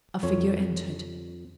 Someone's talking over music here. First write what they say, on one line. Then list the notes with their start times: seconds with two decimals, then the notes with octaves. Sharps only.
A figure entered.
0.23 F2 C#5